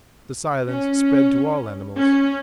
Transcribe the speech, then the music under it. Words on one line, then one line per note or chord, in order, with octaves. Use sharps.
The silence spread to all animals.
C#4
C#4